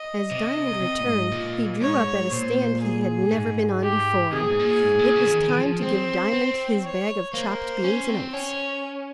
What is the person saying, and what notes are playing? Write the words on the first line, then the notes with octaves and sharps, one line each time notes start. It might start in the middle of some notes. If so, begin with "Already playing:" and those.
As Diamond returned, he drew up at a stand he had never been on before: it was time to give Diamond his bag of chopped beans and oats.
Already playing: D#5
C3
C3
A#2
G#2
A#2
G#2 C#5
A#2 C5
G#4
G#2
G4
C3 G#4
A#2
G#2
A#2
G#2
A#2
C#3
F3
D#3
D#3
F3
C4 C5
C4
C#5
A#3 C5
C#4
C4
C#4 C#5